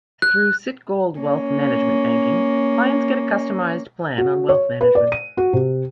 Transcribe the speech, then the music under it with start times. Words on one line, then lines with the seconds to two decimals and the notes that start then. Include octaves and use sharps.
Through Citigold Wealth Management Banking, clients get a customized plan on wealth management.
0.22 F#6
1.19 A#3 C#4
4.18 F#4
4.49 C#5
4.81 B4
4.95 D5
5.12 D#7
5.37 F#4
5.53 C3